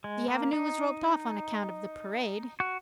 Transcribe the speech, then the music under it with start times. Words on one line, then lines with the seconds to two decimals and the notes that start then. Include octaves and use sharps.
The Avenue was roped off on account of the parade.
0.04 G#3
0.28 A#3
0.53 D#4
2.60 F#4